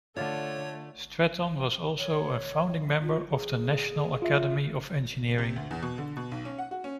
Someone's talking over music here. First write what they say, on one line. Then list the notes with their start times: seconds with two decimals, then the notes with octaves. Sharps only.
Stratton was also a founding member of the National Academy of Engineering.
0.17 D3 A3 F4 C#5 D5 F5
1.98 C#5
3.03 F4
3.31 G#4
4.22 F4 E5
5.38 C3
5.56 D2
5.71 E2
5.82 B2
5.98 D3
6.17 B2
6.31 B1
6.45 C#4
6.58 F#5
6.71 F#4
6.84 C#4